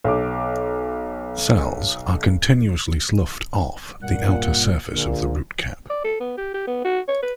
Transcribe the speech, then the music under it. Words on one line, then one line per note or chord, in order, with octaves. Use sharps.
Cells are continuously sloughed off the outer surface of the root cap.
B1 D6
G2 A#2 F#5
A#1 A#2 D3
D5
A4
B3
G4
G4
B3
F#4
C#5
B4